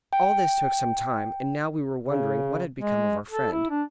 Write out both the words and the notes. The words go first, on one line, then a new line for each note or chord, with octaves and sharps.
All this took some time, and now we were wondering what had become of our friend.
G5
C#3
G#3
A4
E4
D4